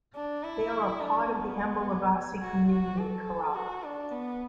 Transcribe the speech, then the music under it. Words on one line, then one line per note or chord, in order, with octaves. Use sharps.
They are a part of the Ambalavasi community in Kerala.
D4
E4
D4
B3
F#4
F#4
A4
F#4
D4
B3